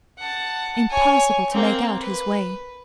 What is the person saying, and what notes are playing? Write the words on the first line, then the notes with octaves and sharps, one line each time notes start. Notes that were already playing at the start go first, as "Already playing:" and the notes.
Impossible to make out his way.
F#5 A5
C#5 G#5
A#3 C4
B4